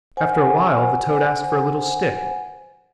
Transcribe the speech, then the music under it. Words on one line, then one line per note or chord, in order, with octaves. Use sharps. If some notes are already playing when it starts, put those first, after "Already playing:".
After a while the toad asked for a little stick.
C5 F#5 G#5